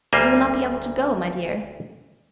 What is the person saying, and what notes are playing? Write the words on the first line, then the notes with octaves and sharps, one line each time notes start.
"You will not be able to go, my dear."
D2 G3 A#3 C5 G#5